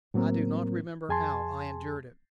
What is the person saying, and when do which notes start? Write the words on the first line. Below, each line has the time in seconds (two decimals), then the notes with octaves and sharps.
I do not remember how I endured it.
0.14 A2 F#3 A#3 C4 A#4
1.09 F2 G#4 G#5 A5 C6